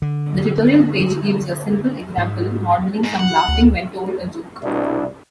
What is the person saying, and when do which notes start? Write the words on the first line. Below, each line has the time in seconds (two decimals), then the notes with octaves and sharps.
The tutorial page gives a simple example modeling some laughing when told a joke.
0.02 D3
2.18 G#2
3.04 G#2
3.19 F#5
3.48 D2
4.63 C2 B2 D4 E4